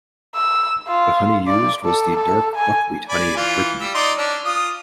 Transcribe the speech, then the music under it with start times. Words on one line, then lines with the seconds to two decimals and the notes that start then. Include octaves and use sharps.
The honey used was the dark buckwheat honey of Brittany.
0.35 E6
0.88 F4
1.48 D5
1.85 A4
2.17 A4
2.56 G#5
3.09 D5 G#5 B5
3.36 E3 F4
3.81 G3 E6
3.94 D#4 D5 C6
4.18 C#4 D4 E6
4.45 F4 D#6